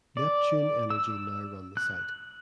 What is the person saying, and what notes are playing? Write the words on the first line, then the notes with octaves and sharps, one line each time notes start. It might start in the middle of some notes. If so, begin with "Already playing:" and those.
Neptune Energy now run the site.
D5
E6
F#6